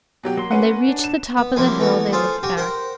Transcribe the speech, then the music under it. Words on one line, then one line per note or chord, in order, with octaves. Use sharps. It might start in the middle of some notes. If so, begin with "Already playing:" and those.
When they reached the top of the hill they looked back.
B2 F#3 G4
F#3 A#3 C6
C#4 B4 F#5
D4
E7
B3
C3 F3 F#3 A#3 E4 G#5
E3 A3 B3 F#4
F4 G#4 A4 C5 F5
F#4 G4 G5 G#5
A#4 C5 F#5 G5